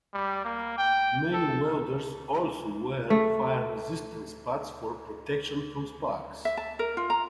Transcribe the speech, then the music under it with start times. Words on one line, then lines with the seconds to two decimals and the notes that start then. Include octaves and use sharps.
Many welders also wear fire-resistant spats for protection from sparks.
0.14 G3
0.45 A#3
0.78 G5
1.33 A4
3.10 A3
6.45 E5
6.57 A5
6.79 A#4
6.97 F4
7.10 A#5